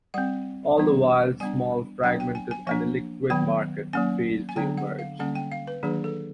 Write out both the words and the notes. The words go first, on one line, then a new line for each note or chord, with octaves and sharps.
All the while the small fragmented and illiquid market failed to emerge.
G3 C4 F#5
E3 G3 B3 D4
G3 B3 D4 G#5
F#3 B3 D4 G5
G5
G#5
G#5
F3 A#3 D4 G#5
D#3 F#3 B3 G5
F#3 A#3 C#4 G#5
G#5
D3 F#3 B3 D4 G5
F#5
F5
D3 G3 A#3 C#4 F#5
G5
F5
B4
D#3 F#3 A#3 D4 G#4
A4